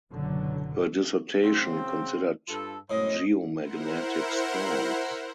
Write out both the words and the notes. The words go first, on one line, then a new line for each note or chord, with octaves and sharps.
Her dissertation considered geomagnetic storms.
F#1 B2 D3 F#3
C#3 F#3 C4
G2 F4 A4
F#2 A2 C5 D#5
E4 A#4 C5 F#5